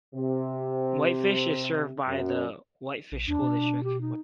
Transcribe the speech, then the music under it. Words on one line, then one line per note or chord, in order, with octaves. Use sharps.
Whitefish is served by the Whitefish School District.
C3
F#2
A#1
E2 D4
B2
G4
D#4